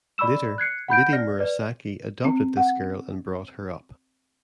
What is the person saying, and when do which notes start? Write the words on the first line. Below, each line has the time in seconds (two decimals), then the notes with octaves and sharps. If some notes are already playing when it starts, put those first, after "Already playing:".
Later, Lady Murasaki adopted this girl and brought her up.
0.18 D5 B5 C#6 E6 E7
0.58 F#6 G#6 C7 C#7
0.88 F#5 B5 G6 D7
1.13 D5 F6 A#6
1.39 B4 D5
2.25 C4
2.57 F#5